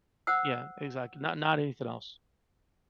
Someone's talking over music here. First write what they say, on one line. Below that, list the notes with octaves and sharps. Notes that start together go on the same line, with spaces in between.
Yeah, exactly, not not anything else.
C5 F#5 E6